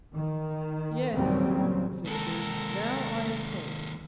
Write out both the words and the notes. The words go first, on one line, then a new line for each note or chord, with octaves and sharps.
"Yes," said she; "now I am pope."
D#3
D#2 A#2 C#3 F#3 G3 C4
D#2 G#3 A4 A#4